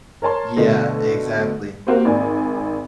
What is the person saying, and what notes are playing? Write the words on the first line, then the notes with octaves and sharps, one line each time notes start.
Yeah, exactly.
A#4 C#5 A5 C6
B2 D3 A3 D#5
A#3 C4 F#4 G4 C5
G#1 D5 G#5